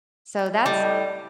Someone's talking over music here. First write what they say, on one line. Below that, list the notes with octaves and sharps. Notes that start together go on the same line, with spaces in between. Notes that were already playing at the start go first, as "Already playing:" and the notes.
so that's
A2 G3 D#5